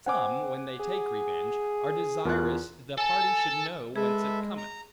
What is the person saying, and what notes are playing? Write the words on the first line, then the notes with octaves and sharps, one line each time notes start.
Some, when they take revenge, are desirous, the party should know, whence it cometh.
C4 F#5 G#5 D6
G#4
E2 F4 A#4 F#6
A4 G#5 A5
G#3 G#4 A4 B4 E5
A#5